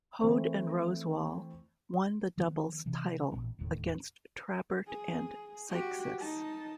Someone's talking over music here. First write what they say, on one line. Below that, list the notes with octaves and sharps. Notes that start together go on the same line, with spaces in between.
Hoad and Rosewall won the doubles title against Trabert and Seixas.
E3 A3 C4
D#3 F3 A3 B3
C3 E3
A1 A#2 B3 C#4
E1 D#2 A2
G#4
F#4 G4
D#4 A5